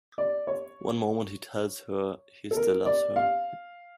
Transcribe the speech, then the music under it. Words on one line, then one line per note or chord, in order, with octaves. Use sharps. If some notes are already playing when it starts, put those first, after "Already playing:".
One moment he tells her he still loves her.
D5
C#5
A4
A#4
D5
F5